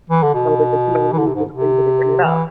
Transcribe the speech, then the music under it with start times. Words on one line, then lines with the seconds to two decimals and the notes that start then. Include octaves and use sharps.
so there's no reason for you to bring it up.
0.10 E3
0.23 D3
0.34 B2
1.12 E3
1.18 D3
1.26 C3
1.35 G#2
1.52 C3
2.24 E3